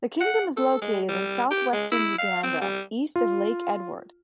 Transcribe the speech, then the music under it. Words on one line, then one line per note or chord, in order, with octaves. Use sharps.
The kingdom is located in south-western Uganda, east of Lake Edward.
F#5
A4
G#3
G3
G4
G#3
E4
F5
C4
G3
F4